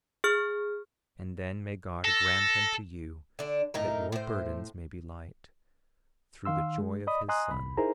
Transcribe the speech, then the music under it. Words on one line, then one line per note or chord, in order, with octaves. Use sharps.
And then may God grant unto you that your burdens may be light, through the joy of his Son.
G#4 F6
A4 A#6
D3 D4
A2 D#4 A#4
A2 C5
D#3 F5 C6 E6
G#3
D5 D#5 B5 D#6
D#5 G#5 A#5 C6 D#6 F#6
C2 B5
D#4 E4 G#4 A#4 C5 A#5